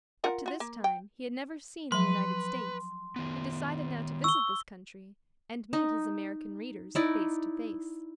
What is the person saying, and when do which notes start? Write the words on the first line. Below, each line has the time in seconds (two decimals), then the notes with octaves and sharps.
Up to this time he had never seen the United States; he decided now to visit this country and meet his American readers face to face.
0.24 F4 A#4 F#5
0.46 F4 F#4
0.60 A#3
0.84 G5
1.92 F3 F#3 B4 C6
3.16 D#3 B3
4.24 C#6 E6 G7
5.73 D#4
6.95 D#4 E4 D5